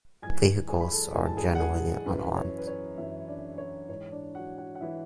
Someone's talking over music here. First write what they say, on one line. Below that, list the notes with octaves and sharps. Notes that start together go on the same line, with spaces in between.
Vehicles are generally unarmed.
G#2 E3 G#5 G#6
G#4 G#5
B5
A4 A5
G#2 E3 G#5
A5
G#4 G#5
F#5
G#4 G#5
F#2 E3 B4
C#5
B4
C#5
F#2 E3 E4 E5
D4 D5
C#5
G#2 E3 C#5
D4 D5
F#4 F#5
F#4 F#5
F#5
E3 E4 E5